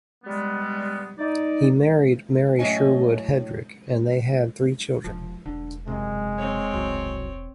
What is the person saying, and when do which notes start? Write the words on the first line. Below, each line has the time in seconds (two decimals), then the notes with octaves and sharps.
He married Mary Sherwood Hedrick and they had three children.
0.24 G3 G#3 B3
1.18 D#4 D5
2.58 A2 F#3 C#4 D#5 G#5
5.04 E1 F3
5.46 E1 D3
5.87 F#2 C3 G#3
6.38 C4 C#5
6.73 C2 F#2 F#3